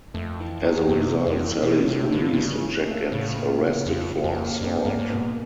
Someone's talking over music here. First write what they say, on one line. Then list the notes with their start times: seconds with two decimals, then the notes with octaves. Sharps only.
As a result, Sally is released and Jack gets arrested for assault.
0.14 F2 A3
0.39 E3
0.64 E2
0.89 F#2 C3
1.14 A3
1.27 F2
1.39 E3
1.63 B2 C#4
1.88 C3 A3
2.12 G2 D3
2.33 C3
2.37 C#3 E3
2.62 C#4
2.87 A3
3.12 A2 C#3
3.36 A#3
3.62 C#3
3.86 F2 F3
4.11 C#3
4.24 F2
4.36 A#3
4.61 F#2 D4
4.85 G2 A#3
4.99 G2
5.10 G#2 B2